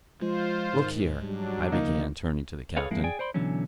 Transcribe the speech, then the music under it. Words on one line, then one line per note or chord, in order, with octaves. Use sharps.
"Look here," I began, turning to the captain.
F3 G#3 F4 C5
G#2 D#3
F#3 G3 D4
C#3 F3 A#3 D#4
G#4 A4 B4 C#5 F5
F2 G#2 G#3 A#3 E4
G#4 D5 G5 G#5
C5 D5 B5 C6
B2 D3 E3 F#3 C#4